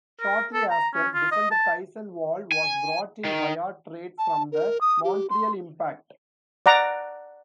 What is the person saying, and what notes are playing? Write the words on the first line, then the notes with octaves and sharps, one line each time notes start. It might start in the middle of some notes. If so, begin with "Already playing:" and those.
Shortly after, defender Tyson Wahl was brought in via trade from the Montreal Impact.
A#4
A4
A#5
C#4
F4
D#5
A5
G#5
D#3
A5
A#4
D#6
G4
C6
D5 F#5 A#5 D6